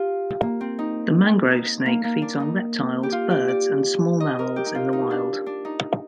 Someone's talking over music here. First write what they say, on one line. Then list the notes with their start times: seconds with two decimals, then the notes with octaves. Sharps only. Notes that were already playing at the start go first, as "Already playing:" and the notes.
The mangrove snake feeds on reptiles, birds, and small mammals in the wild.
Already playing: F4 G4
0.42 A#3
0.61 C4
0.79 D#4
1.51 D#4
1.86 A#3
2.04 A#3
2.22 D4
2.40 D#4
3.03 G4
3.12 F4
3.31 G4
3.48 D5
4.20 D#5
4.39 A#4
4.56 G4
4.66 D#4
4.75 F4
4.93 D#4
5.11 D4
5.46 D4
5.65 D#4